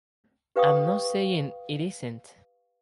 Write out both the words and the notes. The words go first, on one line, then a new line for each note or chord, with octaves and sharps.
I’m not saying it isn’t.
G4 B4 F5 G5 C#6 D#6